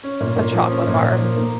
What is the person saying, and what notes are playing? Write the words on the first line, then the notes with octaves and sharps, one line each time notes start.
a chocolate bar.
C#4
A#2
A#2
F3
C#4
A#2
A#2
F3
A#3